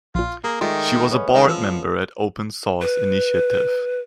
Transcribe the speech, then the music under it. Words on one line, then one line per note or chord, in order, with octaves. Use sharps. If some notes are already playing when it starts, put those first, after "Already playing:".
She was a board member at Open Source Initiative.
A#1 A#2 F4
A#3 G#4
D#3 G#3 A3 F4 D5
B3 C#4
D#3 G#3
E3 F3 E6
B4